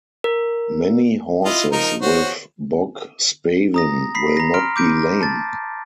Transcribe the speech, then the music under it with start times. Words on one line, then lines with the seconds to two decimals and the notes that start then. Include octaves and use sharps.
Many horses with bog spavin will not be lame.
0.24 A#4
1.45 E4 F4 D#5
1.72 F3 D#4 A#4
2.02 F#4 C5 C#5
3.74 A#5 D#6 A#6
4.15 B5 B6 C7
4.37 A#5 A#6
4.54 A#5 C6 F6 D7
4.76 D6 G6 D7
5.21 A5 A6